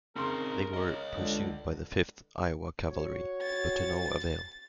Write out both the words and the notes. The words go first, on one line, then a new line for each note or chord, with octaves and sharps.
They were pursued by the Fifth Iowa Cavalry, but to no avail.
C#3 C4 D#4 A#4 C6
C#5 D#5
C#2 D3
F#4 C#5
A6